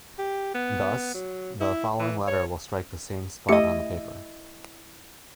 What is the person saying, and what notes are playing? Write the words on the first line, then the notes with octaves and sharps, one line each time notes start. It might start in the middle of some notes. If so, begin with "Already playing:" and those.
Thus, the following letter will strike the same spot on the paper.
G4
B3
F#3
E4
E3
C#5
A3 E4 G4 D#5 C#7